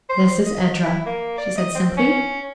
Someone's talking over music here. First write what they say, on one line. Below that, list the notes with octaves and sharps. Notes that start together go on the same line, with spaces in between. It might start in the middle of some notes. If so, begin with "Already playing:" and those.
"This is Edra," she said simply.
C5
D#5
E4
A#3
D5
D#5
C4
C#4